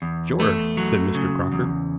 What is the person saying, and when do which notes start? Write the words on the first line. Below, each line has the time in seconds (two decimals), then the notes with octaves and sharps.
"Sure," said Mr. Crocker.
0.02 E2
0.40 A3
0.77 F#3
1.15 C#3
1.52 E2